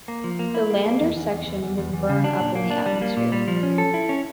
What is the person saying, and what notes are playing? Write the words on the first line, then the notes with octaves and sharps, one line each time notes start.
The lander section would burn up in the atmosphere.
A#3
F3
A#3
E4
A#3
A#3
E2
E2
E2
E2
E2
E2
E2
C#3
D4
A#2
A#3
D4
G3
A#3
A#2
G3
F3
C#4
A4
E4
C#4